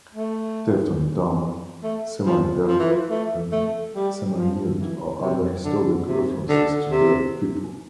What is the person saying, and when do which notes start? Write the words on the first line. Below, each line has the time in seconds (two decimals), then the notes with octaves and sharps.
"Deaf and dumb", "semi-deaf" and "semi-mute" are other historic references to deaf people.
0.15 A3
1.83 A3
2.26 F3
2.68 F3
2.79 E3
2.92 F3
3.10 A3
3.52 A3
3.96 G3
4.37 F3
4.79 E3
5.22 C3
5.64 D3
6.07 C3
6.49 D3
6.91 C3